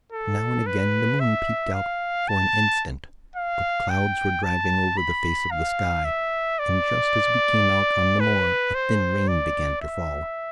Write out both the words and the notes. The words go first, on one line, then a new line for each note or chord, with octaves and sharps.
Now and again the moon peeped out for an instant, but clouds were driving over the face of the sky, and just as we came out on the moor a thin rain began to fall.
A4
B4
E5
F5
A5
F5
G5
A5
B5
F5
E5
D5
B4
C5
D5
E5